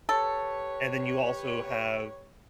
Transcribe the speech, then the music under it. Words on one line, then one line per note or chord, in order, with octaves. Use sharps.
And then you also have
G4 A4 B4 C#5